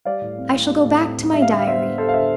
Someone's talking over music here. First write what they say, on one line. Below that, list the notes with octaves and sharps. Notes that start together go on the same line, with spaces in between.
I shall go back to my Diary.
G3 D5 F5
A2
C4
A2
G3
A2
C4
A2
G3 E5
F5
D3 E5
F5
B3 C5 E5
D3
G3 A4 C5
F5
D3 C5 E5